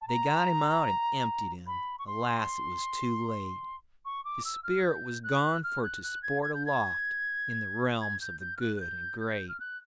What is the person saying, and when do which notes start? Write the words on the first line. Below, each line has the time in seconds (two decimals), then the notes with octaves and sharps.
They got him out and emptied him; Alas it was too late; His spirit was gone for to sport aloft In the realms of the good and great.
0.01 A5
0.08 A#5
1.67 B5
1.98 C#6
2.07 C6
4.05 C#6
4.24 D6
4.44 E6
4.63 F6
4.83 G6
5.23 F#6
5.63 F6
5.83 F#6
6.03 F#6
6.23 G#6
6.42 G#6
6.54 G6
6.65 G#6
8.01 G#6
8.21 G6
8.40 G6
8.57 F6
8.60 F#6
8.76 F#6
8.80 G6
9.20 G6
9.48 F6
9.60 F#6